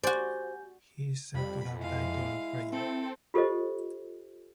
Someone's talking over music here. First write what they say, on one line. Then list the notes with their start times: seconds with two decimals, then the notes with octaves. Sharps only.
He is said to have died during prayer.
0.03 F#4 G4 C5 D5 G#5 G6
1.34 F2 G3 B5
1.78 G#3 E4 F5
2.73 C4 A4
3.34 F4 G4 A4 C5 D#5